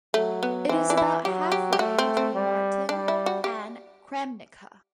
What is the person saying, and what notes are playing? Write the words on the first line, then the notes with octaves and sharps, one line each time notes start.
It is about halfway between Martin and Kremnica.
F#3 A3
B3
E3 C4
D4
E4
F#3 G4
G4
G4
A3 F#4
C4
C4
G3
G3 D4
E4
F#4
G4